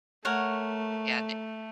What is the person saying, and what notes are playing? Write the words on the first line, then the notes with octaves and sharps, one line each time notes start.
Yea, they
A3 A#4 C#5 F#5